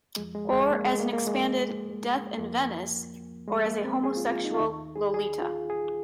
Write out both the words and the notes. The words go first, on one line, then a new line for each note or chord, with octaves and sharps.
Or as an expanded "Death in Venice"... or as a homosexual "Lolita"...
F2 F3 G#3
G#3
G#3
A#3
G#3
A#3
A#3
G#3
F2 F3 A#3
G#3
A#3
C4
G#4
F4
F4
D#4
F4
D#2 D#3 D#4
G#4
G#4
F4
G#4